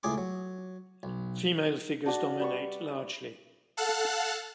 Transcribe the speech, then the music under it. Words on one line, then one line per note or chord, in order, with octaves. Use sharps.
Female figures dominate largely.
C#2 A2 G#4 C6 D6
F#3
B1
D4 F#4 D5
G3 B4 C#6
A4 F5 F#5 A5 F#6